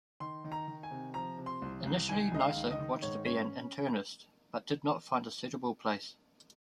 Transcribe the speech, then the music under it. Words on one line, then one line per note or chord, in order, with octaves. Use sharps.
Initially Neisser wanted to be an internist, but did not find a suitable place.
D#3 C6
D#3
A#5
D#3
G#5
C3
F3 A#5
C3
C6
C2
C2
D#3 G#5
C#2 D#5
F5
D#3
D#5
D#3
G#2 C#5
C#4 C#5